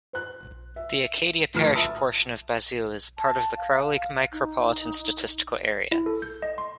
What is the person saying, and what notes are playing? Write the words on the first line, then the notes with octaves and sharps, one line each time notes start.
The Acadia Parish portion of Basile is part of the Crowley Micropolitan Statistical Area.
C5 F#6
E5
D2 A2 F3 B4 F6
E5 A5 D#6 E6
A5
F5
D#4
E4
A4
G6
D#5
C6